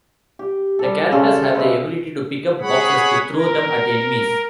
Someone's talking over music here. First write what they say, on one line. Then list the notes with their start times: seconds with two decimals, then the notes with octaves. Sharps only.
The characters have the ability to pick up boxes to throw them at enemies.
0.39 G4
0.79 G3 A4
1.12 C#3 A4 F5 C6
1.55 B4 C5 D#5 E5
2.61 G#4 C#5 F#5 B5
3.30 A#4